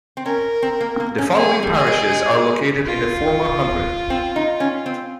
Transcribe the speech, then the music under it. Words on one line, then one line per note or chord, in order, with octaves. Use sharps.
The following parishes are located in the former hundred.
C4
C#4 A#4
C4
A#3
A#3
C#4
C4 G#4
G3
G#4
G#3
G#3
F4
C4
D#4
C#4
C4